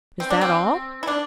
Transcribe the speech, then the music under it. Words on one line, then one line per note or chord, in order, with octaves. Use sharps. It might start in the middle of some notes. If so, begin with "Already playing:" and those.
"Is that all?"
C4
D4
C4
E4
D4